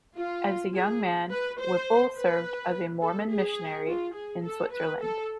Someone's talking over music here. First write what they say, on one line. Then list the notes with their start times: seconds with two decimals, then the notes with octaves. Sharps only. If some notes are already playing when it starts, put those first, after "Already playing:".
As a young man, Whipple served as a Mormon missionary in Switzerland.
0.17 F4
0.74 G#4
1.31 B4
1.59 C5
2.16 B4
3.02 A4
3.29 G#4
3.86 F4
4.15 G#4
4.44 A4
4.72 B4
5.01 A4